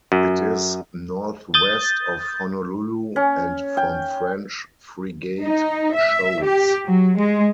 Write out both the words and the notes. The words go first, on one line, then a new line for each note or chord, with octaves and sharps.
It is northwest of Honolulu and from French Frigate Shoals.
F#2
D#6 G6 A6
C#4
G5
D#4
E5
G4
F#3
G#3